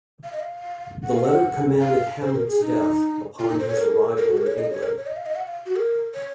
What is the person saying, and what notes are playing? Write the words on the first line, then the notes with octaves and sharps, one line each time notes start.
The letter commanded Hamlet's death upon his arrival in England.
F5
D#5
F5
F#5
F5
F#5
F5
C5
A#4
G#4
D#4
F4
D#4
C5
C#5
A#4
A#4
F#4
A#4
C#5
D#5
C#5
A#4
C#5
D#5
F5
D#5
F#5
F5
F#4
A#4
C#5